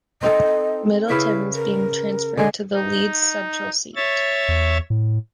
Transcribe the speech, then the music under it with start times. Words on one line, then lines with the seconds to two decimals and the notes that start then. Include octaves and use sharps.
Middleton is being transferred to the Leeds Central seat.
0.23 C4 D#4 A4 D#5
1.10 C#3 E4 B4 E5
1.54 A#4
2.37 D3 G#3 G#5
2.73 D#4
3.96 C#5 E5 A6
4.48 E2
4.90 A2